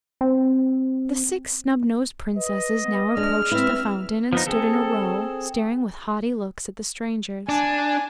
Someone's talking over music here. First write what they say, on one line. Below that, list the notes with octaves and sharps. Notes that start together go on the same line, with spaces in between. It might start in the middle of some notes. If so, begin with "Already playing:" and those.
The Six Snubnosed Princesses now approached the fountain and stood in a row, staring with haughty looks at the strangers.
C4
B4 D#5
B3
G#3 D4 F6
C4 E4 B4 E5
F3 B3 D#4
C4 G#4 A4
D4 G#5